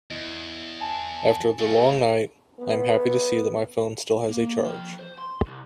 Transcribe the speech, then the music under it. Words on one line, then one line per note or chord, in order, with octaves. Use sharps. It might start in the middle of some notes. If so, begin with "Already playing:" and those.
After the long night, I am happy to see that my phone still has a charge.
E2 E4 D#5
G#5 A5
A3 C#4 G#4 F5 A#6 C7
B3
A#3
F3 G5
C5
C6
C2